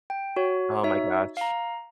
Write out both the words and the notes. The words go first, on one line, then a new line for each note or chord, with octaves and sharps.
Oh, my gosh.
G5
F#4 C#5
D#4 F#4 C#5 E5
F5 A#5